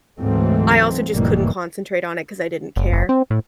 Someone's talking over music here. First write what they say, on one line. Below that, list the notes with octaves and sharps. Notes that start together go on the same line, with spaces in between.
I also just couldn't concentrate on it 'cause I didn't care.
D2 G#2 E3 F#3 A3 C4
F1 A2 D#3 E3 G3 A#3
F#1
F#1
C4
A2